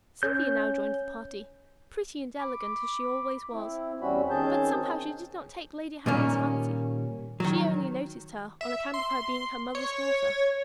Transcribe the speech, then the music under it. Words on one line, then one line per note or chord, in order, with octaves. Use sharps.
Cynthia now joined the party, pretty and elegant as she always was; but somehow she did not take Lady Harriet's fancy; she only noticed her on account of her being her mother's daughter.
C#4 G6
B5 D6
C4 E4
E2 G3 C4 C#4 F#4 B5
D#3 C4 C#4 G#4 A5 G6
A#2 D#3 G3 A#3 C#4
D#3 F#3
E5
C6
C#5